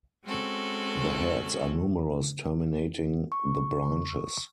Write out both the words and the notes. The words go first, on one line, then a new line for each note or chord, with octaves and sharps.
The heads are numerous terminating the branches.
G#3 C4 C#4 F#4 A4
C#6